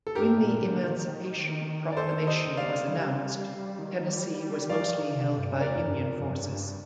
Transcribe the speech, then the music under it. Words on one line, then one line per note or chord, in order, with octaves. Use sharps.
When the Emancipation Proclamation was announced, Tennessee was mostly held by Union forces.
A4
G2 G4 A#4
A#2
D3
D#3
D5
A4 C5
C5 D#5
D5 F5
G3
D#3
G3
G3
F3 D5 F5
D#3
C3
G2
F2 A#4 D5
G2
F2
G2
G2